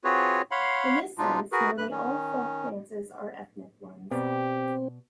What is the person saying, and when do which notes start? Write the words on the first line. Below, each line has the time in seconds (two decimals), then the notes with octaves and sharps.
In this sense, nearly all folk dances are ethnic ones.
0.04 C4 F4 F#4 G#4 B4 C#5
0.51 C#5 F5 F#5 B5 C6
1.18 B2 G#3 D4 D#4 F4
1.52 F#4 G#4 A#4 B4
1.78 G2 B4 F#6
1.91 D#3 C#4
4.11 B2 B3 C4 G4 D5